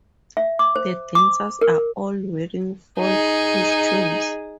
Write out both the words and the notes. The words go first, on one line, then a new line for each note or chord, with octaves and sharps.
The dancers are all wearing Folk costumes.
E5
D6
C5
D6
A#4
D#4 G#4